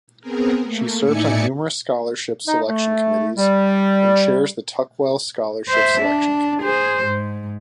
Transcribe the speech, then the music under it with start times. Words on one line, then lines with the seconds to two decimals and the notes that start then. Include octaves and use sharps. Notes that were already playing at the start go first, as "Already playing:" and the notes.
She serves on numerous scholarship selection committees and chairs the Tuckwell Scholarship Selection Committee.
0.21 B3 C4 G#4 A#4
0.63 A3 A#3
1.02 A2 D#4 D5 E5 G#5 C#7
2.47 D#4
2.67 A3
3.37 G3
5.69 C5 E5
6.01 D4
6.63 G#4 C5
7.06 G#2